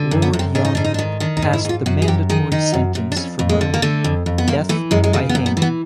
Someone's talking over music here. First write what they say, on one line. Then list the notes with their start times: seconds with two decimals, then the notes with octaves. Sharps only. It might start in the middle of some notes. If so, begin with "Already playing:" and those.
Lord Young passed the mandatory sentence for murder: death by hanging.
Already playing: D3
0.11 F#2
0.22 B3
0.33 F#2
0.39 C4
0.55 G#2 D4
0.65 D#4
0.75 G#2 D4
0.84 D#4
0.94 D4
0.99 D#3
1.20 D#3 D4
1.37 D#4
1.42 G#2
1.53 E4
1.65 G#2 F4
1.86 F#2 F#4
2.02 G#4
2.08 F#2 G4
2.30 D#3 G#4
2.52 D#3 D#4
2.74 F#2
2.95 F#2
3.12 D4
3.16 F2 C#4
3.39 F2
3.49 G#3
3.61 D3
3.74 A#3
3.82 D3 A3
4.04 F2
4.26 F2
4.38 B3
4.48 F#2 A#3
4.69 E3 A3
4.91 F#2 G#3
5.04 G#3
5.13 C#3 A3
5.29 B3
5.35 F#2
5.46 B3
5.57 E3
5.62 B3